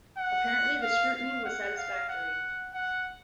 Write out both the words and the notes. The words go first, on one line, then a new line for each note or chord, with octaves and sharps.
Apparently the scrutiny was satisfactory.
F#5
F5
F5
F#5
F5
F#5
F#5